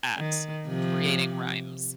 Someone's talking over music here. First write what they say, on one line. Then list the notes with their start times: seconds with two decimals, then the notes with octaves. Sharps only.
at creating rhymes.
0.17 D#3
0.67 C3 F3